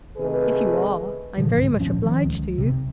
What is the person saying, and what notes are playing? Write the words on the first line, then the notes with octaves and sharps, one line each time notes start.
If you are, I'm very much obliged to you.'
C3 D#3 A3 D#4 G#4 B4
A#2 D3 E3 F3
C#2 G#2
D1 A#1 F3 C#4
D#3 F3
C#2
B1 C3